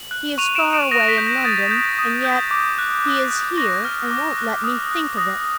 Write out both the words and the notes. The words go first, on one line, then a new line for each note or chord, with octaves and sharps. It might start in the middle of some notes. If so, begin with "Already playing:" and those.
He is far away in London; and yet, he is here and won't let me think of it!
Already playing: F#7
F#6
C#6 D#7 F7
D7 E7
F#6
D7 E7
D#6 A#6
B6
G6
A#6
D#6 A6
G6
D#6
G6
D6
F#6
D#6
F#6
C#6 A#6
F6
D6
F#6
D#6
F#6
D#6 A#6